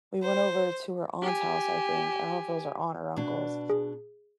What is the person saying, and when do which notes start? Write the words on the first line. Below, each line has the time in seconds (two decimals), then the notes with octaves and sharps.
we went over to her aunt's house, I think- I don't know if it was her aunt or uncle's-
0.23 C5
1.22 G4 G#5
3.16 B2 D4
3.70 G#4